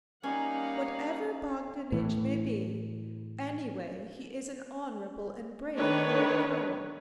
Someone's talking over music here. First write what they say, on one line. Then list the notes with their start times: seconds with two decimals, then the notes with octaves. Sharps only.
Whatever Bogdanich may be, anyway he is an honorable and brave old colonel!
0.23 G3 A#3 C#4 D#4 F5 F#5 G#5
1.92 A2 E3
5.77 D#3 D4 B4 C#5